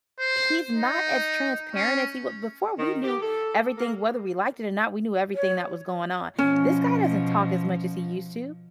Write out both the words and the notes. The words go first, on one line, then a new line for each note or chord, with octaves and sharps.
he's not as transparent as he w before we knew everything whether we liked it or not, we knew everything that was going on. This guy doesn't talk as much as he used to.
C5
D#4
C#4
D#3
G4
A4
A#3
C#5
B2 F3 C#4